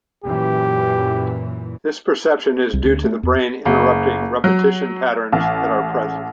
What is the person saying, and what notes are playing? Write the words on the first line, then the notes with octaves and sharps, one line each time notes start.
This perception is due to the brain interpreting repetition patterns that are present.
F#2 A#2 E3 G4
C2
D2
A3
E2
F#1
F#3
A1